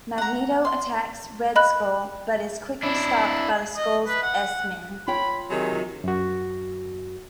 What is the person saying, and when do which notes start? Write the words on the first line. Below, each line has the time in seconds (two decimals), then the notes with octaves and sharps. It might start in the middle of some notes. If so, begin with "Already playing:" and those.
Magneto attacks Red Skull, but is quickly stopped by the Skull's S-Men.
0.18 F#5 A#5
0.65 C6
1.56 D#5 B5 F#6
2.83 D4 E4
3.77 D#5
4.07 B4
4.22 F#5
5.08 F4 C#5 G5 B5
5.50 C3 D#3 F#3 G#4
6.04 F#2 F#4